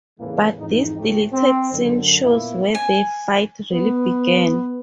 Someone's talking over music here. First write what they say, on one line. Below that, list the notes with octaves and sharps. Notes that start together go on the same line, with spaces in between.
But this deleted scene shows where the fight really began.
E2 A2 C#3 E3 G#3 A#3
F2 G#2 E3 D#4
C#2 A2 A3 G4
C4
F#2 D3
A#2 A#3 B3 E4
G#5
B3